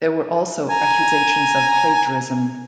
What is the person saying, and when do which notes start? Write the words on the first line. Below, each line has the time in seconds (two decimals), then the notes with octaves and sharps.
There were also accusations of plagiarism.
0.70 G#5 A#5